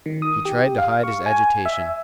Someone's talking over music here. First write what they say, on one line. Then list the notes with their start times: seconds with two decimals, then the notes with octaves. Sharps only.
He tried to hide his agitation.
0.06 D#3
0.22 D#6
0.45 G4
0.78 F5
1.03 C#6
1.26 G#5
1.65 E5